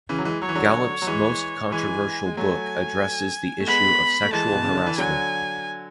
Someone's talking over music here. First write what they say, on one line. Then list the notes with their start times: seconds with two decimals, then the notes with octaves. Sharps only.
Gallop's most controversial book addresses the issue of sexual harassment.
0.09 C#3 E3
0.18 F#3
0.25 E3 G#3
0.42 F#3 C#5
0.49 E3
0.55 D3 F#3
1.02 F#3
1.07 E3 G#3
1.72 E3 G#3 G#5
2.26 G#3
2.37 F#3 A3 G#5
3.60 A3
3.67 G#3 B3 B5
4.25 A3
4.33 E3 G#3 A5
4.52 B2
4.64 C#3
4.75 D3
4.86 E3
4.98 D3 F#3 G#5